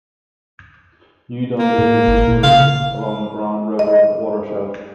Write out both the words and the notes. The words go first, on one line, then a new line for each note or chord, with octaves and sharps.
New Dundee is situated along the Grand River watershed.
A#3
A2
G#1
A#2
C#3 F5
D#5